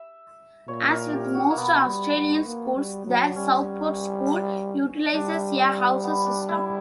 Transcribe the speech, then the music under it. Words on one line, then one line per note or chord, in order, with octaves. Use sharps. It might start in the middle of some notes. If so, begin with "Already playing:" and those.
As with most Australian schools, The Southport School utilises a house system.
Already playing: E5
A#2 C#5
A#4
G4
F#4
A#3
B2 B3
G3
G3
A#3
G3
F#3
G3 C#4
G3 D4
B3
D4
E4